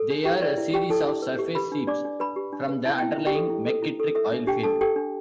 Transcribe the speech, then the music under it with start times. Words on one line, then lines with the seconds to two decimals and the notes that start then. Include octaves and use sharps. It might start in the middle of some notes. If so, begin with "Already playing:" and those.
They are a series of surface seeps from the underlying McKittrick Oil Field.
Already playing: A4
0.10 D4
0.25 E4 G4 G5
0.42 B4 D5
0.58 E4 E5
0.74 G4 G5
0.90 E4 A4 A5
1.06 E4
1.22 B4
1.39 G4
1.55 G4 B4 B5
1.72 D4
1.87 D4 D5 D6
2.05 D4
2.20 D4 B4 B5
2.36 G4
2.52 D4
2.69 B4
2.85 E4 A5
2.99 E4 G5
3.12 E5
3.18 E4
3.26 G4 G5
3.35 A4
3.50 E4
3.66 A4
3.83 E4
4.00 A4
4.15 A4 E5
4.31 D4 E5
4.47 D4 G4 G5
4.63 D4 A4 A5
4.81 G4 A4 G5
4.96 D4